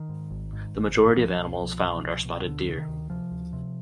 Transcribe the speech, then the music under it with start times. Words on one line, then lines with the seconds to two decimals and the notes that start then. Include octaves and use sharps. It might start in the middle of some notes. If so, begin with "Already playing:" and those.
The majority of animals found are spotted deer.
Already playing: D#3
0.09 G#2
0.31 G#1
0.53 G#2
0.75 G#1
0.96 G#2
1.17 C2 F3
1.38 B2
1.60 C2
1.82 B2
2.04 C2
2.25 B2
2.46 D2 D3
2.68 C3
2.78 D#3
2.88 D2
3.10 C3 F3
3.31 D2
3.53 C3